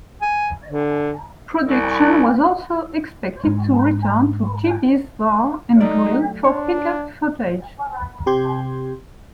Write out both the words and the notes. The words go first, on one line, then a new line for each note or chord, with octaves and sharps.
Production was also expected to return to Geebee's Bar and Grill for pick-up footage.
G#5
D3
C2
G#2 G#3
F#3 A3 D#4 D5
D4 C#5
C3 G4 C6 G6 G#6